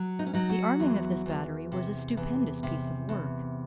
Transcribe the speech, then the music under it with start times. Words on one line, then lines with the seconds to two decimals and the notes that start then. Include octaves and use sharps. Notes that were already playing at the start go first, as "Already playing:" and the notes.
The arming of this battery was a stupendous piece of work.
Already playing: F#3
0.19 D#4
0.26 C#4
0.33 F#3 D#4
0.49 F#4
0.80 E2
1.26 E2
1.72 C3
2.17 E2
2.63 C3
3.09 E2